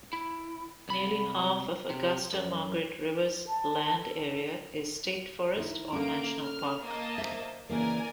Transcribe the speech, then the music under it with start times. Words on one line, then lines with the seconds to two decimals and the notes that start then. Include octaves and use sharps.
Nearly half of Augusta-Margaret River's land area is state forest or national park.
0.13 E4
0.89 C2 B5
1.90 C3
2.33 F#2
3.46 A5
3.99 A4
5.56 D#3 E4
5.93 A3 A#3 C#4 D7
6.41 F6
6.83 A#3 D#5 A5
7.18 C5 E5
7.69 C#3 E3 A#3 A#4 D5 G#5